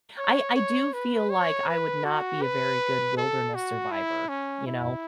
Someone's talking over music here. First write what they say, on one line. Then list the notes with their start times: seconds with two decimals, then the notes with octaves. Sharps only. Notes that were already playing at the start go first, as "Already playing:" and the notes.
I I do feel like I would not be a very good wilderness survivor, you know.
0.18 C#5
0.56 C#5
0.94 B4
1.30 C#5
1.68 B4
2.05 F#4
2.42 B4
3.17 A4
3.55 F#4
3.92 E4
4.29 C#4
4.67 E4